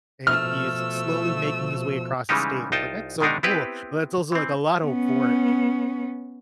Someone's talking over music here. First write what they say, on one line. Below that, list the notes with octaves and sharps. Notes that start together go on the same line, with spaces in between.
and he's slowly making his way across the state, and it's like, "That's so cool," but it's also, like, a lot of work.
B2 F3 A3 E6 F6
C#3 E3 G3 G#3 D#4 G4
C2 D#4 F4 G5 A5
B2 D#3 G#3 D4 D#4 A#4
B3 C4 E4 G4 B4
E3 C4
B3 C#4